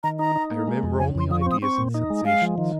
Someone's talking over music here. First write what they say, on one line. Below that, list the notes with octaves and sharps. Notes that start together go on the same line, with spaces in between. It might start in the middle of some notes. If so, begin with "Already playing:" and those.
I remember only ideas and sensations.
D#3 A#5
D#4 A#5
D#4
A#3
G#3
F2
C#3 G#5
F2 C6
F3 D#6
C#6
C4
D#6
C4 C#6
A#2
D#4
G#3
G#3 F5
F3
D#3